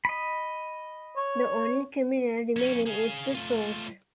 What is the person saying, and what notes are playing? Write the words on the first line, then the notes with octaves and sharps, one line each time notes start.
The only terminal remaining is the source.
D#5 B5
C#5
F2 C#4
G#4 F5
A3 F4